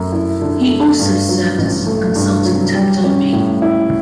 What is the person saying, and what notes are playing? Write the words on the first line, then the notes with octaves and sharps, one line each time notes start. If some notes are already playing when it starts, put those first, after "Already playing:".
He also served as a consultant to Adobe.
Already playing: F#2 A3
E4
D3
A3
G2
F#3
A1
A3
G2
F#3
G3
C#4
A2
E4